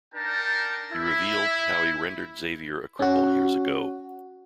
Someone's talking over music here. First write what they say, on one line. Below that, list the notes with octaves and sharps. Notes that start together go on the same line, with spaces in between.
He revealed how he rendered Xavier a cripple years ago.
D4 D#4 A#4 G5 A5
E4
C#4 F#4